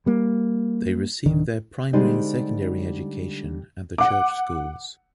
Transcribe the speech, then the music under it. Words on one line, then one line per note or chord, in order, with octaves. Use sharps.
They received their primary and secondary education at the church schools.
G3 A#3
D1 D#3 D4
D3 G3 G#3 C4 D#4
F#5 D6